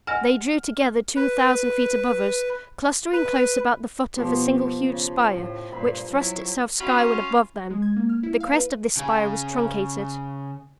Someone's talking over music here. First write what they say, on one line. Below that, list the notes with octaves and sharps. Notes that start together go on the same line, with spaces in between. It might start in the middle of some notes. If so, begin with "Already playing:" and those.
They drew together two thousand feet above us, clustering close about the foot of a single huge spire which thrust itself skyward above them. The crest of this spire was truncated.
D#5 F#5 G#5 F6
B4
B4
B2 F3 B3 G4 C5
C#3
A2
G2 A#2 B5
F#3 E4
C#4 F4 F#4 B5
G#3
G#6
A#3
F6
E4
F5
B4
C#3 G#4